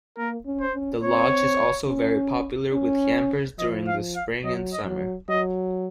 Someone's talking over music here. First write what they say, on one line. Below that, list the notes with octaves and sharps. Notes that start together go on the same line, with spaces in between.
The Loch is also very popular with campers during the spring and summer.
A#3 A#4
C#4
C5
C#4
C4 C#5
C#4
C#4
F3 D#5
F5
F5
F#3 D#5
D#5
F#3
F#3 D#5